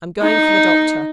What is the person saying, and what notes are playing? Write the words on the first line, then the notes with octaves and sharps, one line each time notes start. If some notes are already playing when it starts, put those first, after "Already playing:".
I am going for the doctor.'
D#4